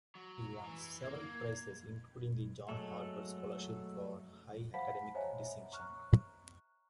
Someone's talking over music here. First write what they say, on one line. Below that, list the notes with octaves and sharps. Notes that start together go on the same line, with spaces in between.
He won several prizes, including the John Harvard scholarship for high academic distinction.
F#3
E3
A#3 G#6
F#3 G#3 A3 A4
C5 F5 F#5 A5 B5 B6
C5 C#5 D#5 E5 G#5 A#5
A#5 C#6 F6 F#6